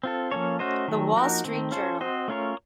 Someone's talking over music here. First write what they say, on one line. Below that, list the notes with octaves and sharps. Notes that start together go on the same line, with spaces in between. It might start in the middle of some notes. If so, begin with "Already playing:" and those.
"The Wall Street Journal".
C4 F4 A4
F3 A#3 C#4 A4 C#5
A3 C#4 F#4 C5 D#5
D#3 F#3 A3
F3 A#3 D#4 F#4 A#4
D#3 A3 C4
C#4 F4 A4 C5
C4 F#4 C5 D#5
A3 C#4 F4 A#4 C#5